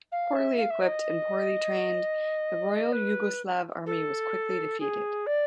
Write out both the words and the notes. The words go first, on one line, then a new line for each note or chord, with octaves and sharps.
Poorly equipped and poorly trained, the Royal Yugoslav Army was quickly defeated.
F5
E5
F5
E5
D#5
B4
A4
G#4
D5